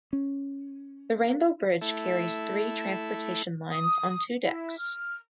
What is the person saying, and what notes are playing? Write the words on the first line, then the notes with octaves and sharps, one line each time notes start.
The Rainbow Bridge carries three transportation lines on two decks.
C#4
A3 E4
D#6
E4
F6